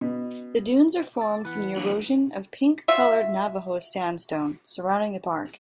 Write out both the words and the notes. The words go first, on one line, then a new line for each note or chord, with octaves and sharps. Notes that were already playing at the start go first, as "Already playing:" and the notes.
The Dunes are formed from the erosion of pink-colored Navajo Sandstone surrounding the park.
B2
D6 E6 A6
E3 B4 F#5
A#2 F#3 A#3 D4
F4 F#4 E5